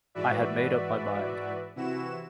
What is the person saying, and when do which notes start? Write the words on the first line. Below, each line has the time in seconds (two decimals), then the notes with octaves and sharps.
I had made up my mind.
0.15 G#2 E3 F#4 B4 D5 E5
1.76 C3 E3 E4 F#4 E7